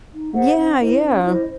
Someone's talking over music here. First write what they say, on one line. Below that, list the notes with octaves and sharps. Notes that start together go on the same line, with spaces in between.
Yeah, yeah.
D#4
G#4 C5 F#5
C#4
E4 C5 D#5
C#4
E4 C5 D#5